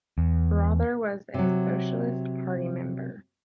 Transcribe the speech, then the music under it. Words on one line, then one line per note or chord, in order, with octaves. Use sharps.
Reuther was a Socialist Party member.
E2
C3 F#3